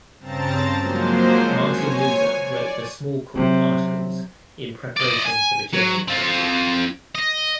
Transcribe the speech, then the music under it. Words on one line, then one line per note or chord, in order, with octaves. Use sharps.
Martin Luther wrote the Smalcald Articles in preparation for the general council.
G2 C#3 C4 A5 A#5 A6
F3 F#3 G#3 A#3 C5
C#5 G#5
D5
C3 F#3 C4
D5 D#5
G#5
F#3
C4 F4
D#5